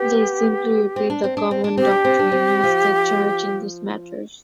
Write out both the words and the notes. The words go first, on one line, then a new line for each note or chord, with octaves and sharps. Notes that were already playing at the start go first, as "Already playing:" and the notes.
They simply repeat the common doctrine of the Church in these matters.
Already playing: B3 G4
C4
D4
C4
D4
C4
D4
C4 G4
D4
C4
D4
C4
F3